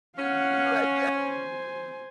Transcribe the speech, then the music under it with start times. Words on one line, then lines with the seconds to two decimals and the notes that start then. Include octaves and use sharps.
you, like yeah.
0.18 C#4 F5 F#5
1.16 C5 G#5